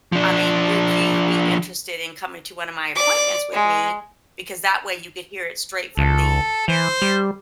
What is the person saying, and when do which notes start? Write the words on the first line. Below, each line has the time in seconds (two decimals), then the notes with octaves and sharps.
I mean, would you be interested in coming to one of my appointments with me? Because that way you could hear it straight from the,
0.12 F3 D4
2.96 D5 D6
3.53 G#3
5.97 C#2 A4
6.68 E3 C5
7.02 G3